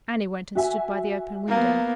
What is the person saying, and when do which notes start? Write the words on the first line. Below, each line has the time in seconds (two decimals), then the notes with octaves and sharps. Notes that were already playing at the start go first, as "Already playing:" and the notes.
Annie went and stood by the open window.
0.55 F#4 E5 G#5
1.49 A#3 B3